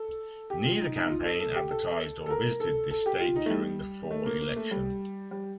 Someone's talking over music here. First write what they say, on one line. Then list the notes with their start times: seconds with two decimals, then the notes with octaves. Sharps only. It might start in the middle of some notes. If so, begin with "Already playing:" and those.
Neither campaign advertised or visited this state during the fall election.
Already playing: A4
0.50 G4
0.66 F4
0.80 D#4
0.96 D#4
1.10 F4
1.25 A4
1.40 A4
1.55 G4
1.71 A4
2.26 A4
2.30 A#4
2.60 A4
2.90 A4
3.06 G4
3.20 F4
3.36 D#4
3.46 A3
3.50 G3
4.11 A3
4.26 A#3
4.41 A#3
4.56 A3
4.71 G3
5.31 G3